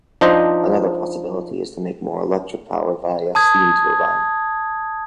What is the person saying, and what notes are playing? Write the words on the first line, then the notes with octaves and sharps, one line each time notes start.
Another possibility is to make more electric power via a steam turbine.
F3 D4 D#4 C5 D#5
A5 D#6 G#6